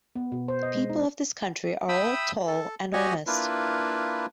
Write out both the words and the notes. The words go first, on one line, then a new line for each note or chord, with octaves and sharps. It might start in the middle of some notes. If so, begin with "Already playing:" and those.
The people of this country are all tall and honest.
B3
B2
C5
D#5
G#3
D#4
E5 G5 B5 D#6 E6
A4
F#4 G4 C#5 D#5 G#5 C#6
A#3 D4 E4 F4 B4